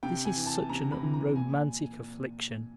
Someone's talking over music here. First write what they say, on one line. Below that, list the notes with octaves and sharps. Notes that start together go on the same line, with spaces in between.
This is such an unromantic affliction.
C3 G5
G#5
E3
A5
C3 A#5
B5
E3
A#5
A#2 G#5
A#2